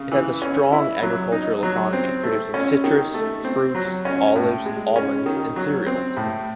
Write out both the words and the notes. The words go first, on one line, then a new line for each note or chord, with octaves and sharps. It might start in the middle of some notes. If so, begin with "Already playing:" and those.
It has a strong agricultural economy, producing citrus fruit, olives, almonds and cereals.
Already playing: C#3
E3
C#4
E4
F#3
D#4
F#3
C4
A3
C#4
D#3
A3
C4
F#3
C#4
A2
G#3
C#4
D#3
F#3
C4
A2